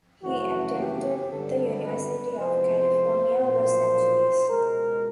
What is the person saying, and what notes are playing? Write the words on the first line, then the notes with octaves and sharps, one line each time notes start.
He attended the University of California Los Angeles.
F#2 C#3 E3 A3 F#4
G4
G#1 G2 D3 G3 B3 A4
B4
E2 C3 F3 G#3 B3 C5
B1 A#2 F3 C5
C#2 B2 G#3 A#4